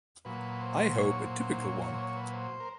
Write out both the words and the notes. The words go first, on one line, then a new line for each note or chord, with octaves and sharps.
I hope a typical one.
A#2 F#3 B4
C5
C#5
C5
C5
C#5
C#5
C5
C#5
B4
C5
A#4